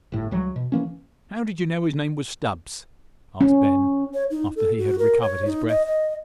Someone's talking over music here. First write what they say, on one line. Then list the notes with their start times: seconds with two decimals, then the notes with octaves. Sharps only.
"How did you know his name was Stubbs?" asked Ben, after he had recovered his breath.
0.12 G1 A2
0.31 C#2 E3 F#3 G3
0.56 B2
0.72 E3 A#3 C#4
3.41 C#4
4.13 C#5
4.30 D#4
4.56 A4
4.78 F#4
4.99 A#4
5.22 C#5
5.46 D#4
5.69 D#5
5.86 D#5